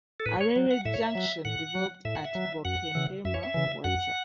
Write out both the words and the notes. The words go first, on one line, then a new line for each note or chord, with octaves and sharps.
A railway junction developed at Bockenheimer Warte.
A4
A2 B4
C#5
F#3
F#5
A2 E5
C#5
E5
F#3
A2 F#5
F#3
A2 E5
F#5
E5
F#3
F#2 F#5
C#3 E3
F#2 E5
C#5
E5
C#3 E3
F#2 F#5